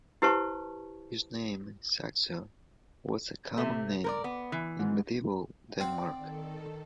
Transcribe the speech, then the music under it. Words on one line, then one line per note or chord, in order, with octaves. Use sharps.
His name Saxo was a common name in medieval Denmark.
E4 G4 B4 C5 A5 C#6
C3 A3
A#4 B4 D5
B3
E3
G#2
C4 D5 F5 F#5
D#3 A4